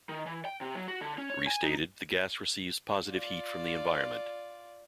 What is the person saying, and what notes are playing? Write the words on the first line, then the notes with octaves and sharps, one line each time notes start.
Restated, the gas receives positive heat from the environment.
D#3
E3
G5
C3
F#3
F#4
D3
C#4
C#5
G#5
D#4
F4 D5